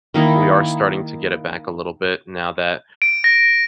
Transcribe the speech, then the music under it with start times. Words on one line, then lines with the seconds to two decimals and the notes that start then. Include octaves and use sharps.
we are starting to get it back a little bit now that
0.14 D#3 A#3 D#4 E4
3.02 D7
3.24 A#6